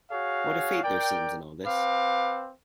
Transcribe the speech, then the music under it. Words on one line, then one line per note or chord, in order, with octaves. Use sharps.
What a fate there seems in all this!
F#4 G#4 C#5 F5
A#4 D5 G5
C4 B4 F5 D6